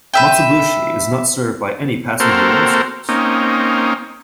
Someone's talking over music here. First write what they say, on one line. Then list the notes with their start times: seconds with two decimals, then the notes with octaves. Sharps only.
Matsubushi is not served by any passenger rail service.
0.14 B4 E5 G5
2.20 A#3 C4 F#4 A4 A#4 C5
3.09 A#3 C4 C#4 D#4